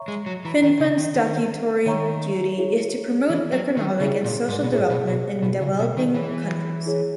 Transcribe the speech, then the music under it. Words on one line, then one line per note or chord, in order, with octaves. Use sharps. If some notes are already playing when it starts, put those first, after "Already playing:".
Finnfund’s statutory duty is to promote economic and social development in developing countries.
Already playing: C#5 E5 A#5 C#6
G#3
F#3
E3 C#5 E5 A#5 C#6
D#3
C#3
D#3
D#3 C#5 E5 A#5 C#6
D#3 C#5 E5 A#5 C#6
E4 G#4 C#5 E5
E3 E4 G#4 C#5 E5
F#3
D#3
C#3 E4 G#4 C#5 E5
A#2
G#2
B2
A#2 E4 G#4 C#5 E5
B2
B2
B2 E4 G#4 C#5
C#3
B2
D#3
E3 E4 G#4 C#5
E4 G#4 C#5